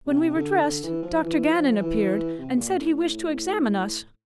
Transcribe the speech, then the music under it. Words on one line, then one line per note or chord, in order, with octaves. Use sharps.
When we were dressed, Dr. Gannon appeared, and said he wished to examine us.
C3
D3
D3
E3
F3
E3
F3
E3
C3
A#2
A2